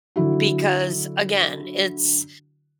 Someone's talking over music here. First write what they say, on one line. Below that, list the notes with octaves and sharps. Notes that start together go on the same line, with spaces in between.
because, again, it's
D3 F#3 E4 F#4